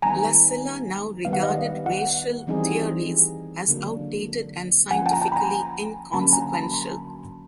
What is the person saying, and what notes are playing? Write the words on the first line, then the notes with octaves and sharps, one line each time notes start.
Lassila now regarded racial theories as outdated and scientifically inconsequential.
D#3 G3 B3 D#4 G#5 A#5
D#3 G3 B3 D#4 F5
F#5
D#5 F5
E5 F#5
E3 G3 C4 D#4 G#4
D3 F#3 A#3 D4
F3 A#3 C#4 F#5 G#5
G5 A5
A#5
G5 A5
B5
G#5 A#5
D3 F#3 A#3 C#4 A5 B5
G#5 A#5
A5 B5
A#5 C6